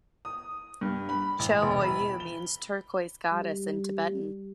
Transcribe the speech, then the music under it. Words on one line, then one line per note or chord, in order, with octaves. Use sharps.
Cho Oyu means "Turquoise Goddess" in Tibetan.
D#6
G2
B5
A1
E1
B5
G7
G3